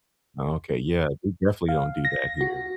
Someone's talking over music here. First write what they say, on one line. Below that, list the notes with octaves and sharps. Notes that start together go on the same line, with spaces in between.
Oh, okay. Yeah. We definitely don't do that here.
F5
A#6
F#4